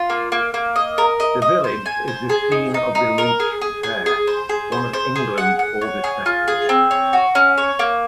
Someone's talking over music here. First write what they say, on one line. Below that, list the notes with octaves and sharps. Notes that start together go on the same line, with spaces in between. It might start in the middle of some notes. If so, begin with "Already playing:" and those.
The village is the scene of the Reach Fair, one of England's oldest festivals.
Already playing: F4
A#3
A#3
A#3
D#5
A#4
D#5
D#5
C5
G#5
C5
G#4
D#4
D#4
D#4
A#4
G#4
G#4
G#4
G#4
C5
G#4
C5
C5
G#4
F#5
F#5
C#5
G#4
F4
G#4
C4
C#5
F#4
C#4
C#5
A#3